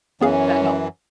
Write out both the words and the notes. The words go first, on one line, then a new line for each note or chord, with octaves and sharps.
that helped.
F#2 E3 B3 C#4 G#4 F5